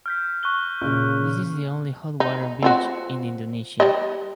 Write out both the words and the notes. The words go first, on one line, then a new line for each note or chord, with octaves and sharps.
This is the only hot water beach in Indonesia.
F6 G6 B6
C#6 F#6 G7
A#2 C#3 F6
D#4
C4 F4 F#4
G3 D5 D#5